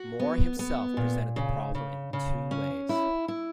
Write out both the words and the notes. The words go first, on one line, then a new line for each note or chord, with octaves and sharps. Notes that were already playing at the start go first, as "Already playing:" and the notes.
Moore himself presented the problem in two ways.
Already playing: F#4
B3
B3
A#2
C#3
C#3
C#3
C#4
E4
E4